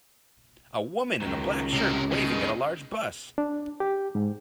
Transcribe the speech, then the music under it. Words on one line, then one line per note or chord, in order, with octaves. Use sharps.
A woman in a black shirt waving at a large bus.
C#2 D#3 F#3
A2 C3 F#4 A#4
B2 D#3 G#3 G#4
D4
G4
G#2